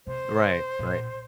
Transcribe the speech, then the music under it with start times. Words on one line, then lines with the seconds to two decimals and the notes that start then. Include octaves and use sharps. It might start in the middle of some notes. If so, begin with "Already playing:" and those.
Right, right.
0.07 C3 C5
0.79 A#2